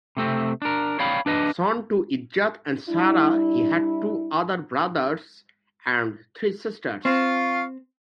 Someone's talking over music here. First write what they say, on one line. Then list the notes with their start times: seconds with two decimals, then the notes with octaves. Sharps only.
Son to Ezzat and Sara, he had two other brothers and three sisters.
0.17 C3 A3 C4
0.62 D4 A#4
0.99 C#5 D5 F5 G5 B5
1.26 D4 B4 D#5
2.87 G3 D4 E4
7.05 C4 F4 F5 C#6